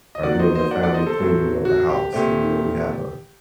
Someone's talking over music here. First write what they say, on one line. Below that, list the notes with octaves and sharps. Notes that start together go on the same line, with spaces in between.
are doing the family cleaning of the house and, you know, we have, uh
D#5
D#3 F#3 A#3 D5 F#5
C5 D#5
C5 D#5
D5 F#5
D5 F#5
C5 D#5
A4 C5
A2 F#3 C4
F#4
G4
A#2 A3 C4 G4